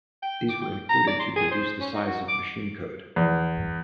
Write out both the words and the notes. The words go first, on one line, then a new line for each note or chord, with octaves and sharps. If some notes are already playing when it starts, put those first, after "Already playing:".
These were included to reduce the size of machine code.
G5
D6
G5
A#5
D5
C6
G#4
C5
C#4
D#4
F#4
D6
E2